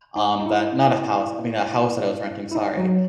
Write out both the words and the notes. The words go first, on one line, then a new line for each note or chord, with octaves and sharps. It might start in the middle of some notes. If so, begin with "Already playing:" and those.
um, that not a house, I mean a house that I was renting, sorry,
D#4
D#4
E4
E4
D#4
F#3